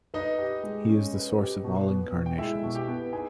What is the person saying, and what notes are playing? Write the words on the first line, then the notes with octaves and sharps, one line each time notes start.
He is the source of all incarnations.
D#4 B4 D#5
G4
G#3
C#4
B4
G4
B2
B3
B2
G5
G#3 E4 E5
B2
G4 G5
B3
D#4 G#4 G#5